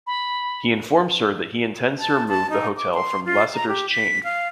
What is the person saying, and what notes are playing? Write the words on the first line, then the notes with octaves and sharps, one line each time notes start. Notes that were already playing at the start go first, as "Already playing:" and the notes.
He informs her that he intends to remove the hotel from Lassiter's chain.
B5
A5
A5
D#4
D6
C6
F4
A#5
G4
B6
F5